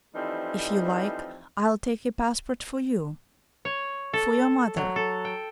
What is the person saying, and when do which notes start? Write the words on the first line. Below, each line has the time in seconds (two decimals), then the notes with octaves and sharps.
If you like, I'll take a passport for you... for your mother....
0.15 E3 F3 G3 A3 C4 D#4
3.65 C#5
4.13 A4
4.77 F#3
4.96 A4
5.25 G5